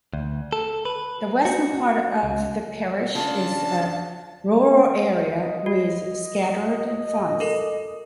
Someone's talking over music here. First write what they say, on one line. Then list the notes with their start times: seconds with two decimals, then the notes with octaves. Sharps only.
The western part of the parish is a rural area with scattered farms.
0.13 D2
0.53 A4
0.85 B4
1.45 F#4
2.23 C#2
3.15 C#3 D4 F4 A5
5.39 D#5
5.66 F#4
7.40 A4 A#4